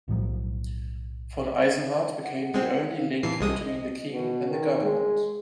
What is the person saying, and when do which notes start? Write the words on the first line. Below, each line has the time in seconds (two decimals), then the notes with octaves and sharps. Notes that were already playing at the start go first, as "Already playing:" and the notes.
Von Eisenhart became the only link between the king and the government.
0.08 B1 A2 F3 F#3
2.23 F#5
2.54 G#3 C4
2.92 F5
3.23 A#2 E3 A5 C7
3.41 C2 G#3 D#5 D#6
3.59 D#5
4.12 B2
4.50 D#3
4.83 G#3